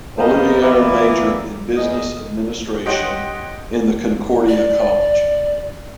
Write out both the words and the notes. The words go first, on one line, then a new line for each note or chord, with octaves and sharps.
Ollivierre majored in Business Administration in the Concordia College.
F#2 A#3 B3 D#4 C5 D#5
E3 A#3 B3 D5 E5
E2 D#5
G4 C#5 D#5 F#5 G5 C6
D5